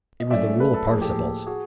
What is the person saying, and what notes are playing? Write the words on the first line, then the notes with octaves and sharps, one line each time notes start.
It was the rule of participles.
D#5
F#3 A3 C#4 D5 E5
A4 B4
A4
A2 F3 A#3 G#4
G4 A4
F#4 G#4